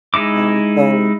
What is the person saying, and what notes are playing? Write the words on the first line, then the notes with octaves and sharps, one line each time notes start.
um so,
G#3 D#4 E4 D6